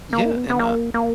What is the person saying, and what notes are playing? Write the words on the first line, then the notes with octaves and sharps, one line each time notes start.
Yeah, and, uh
A#3
B3
B3
A#3
A#3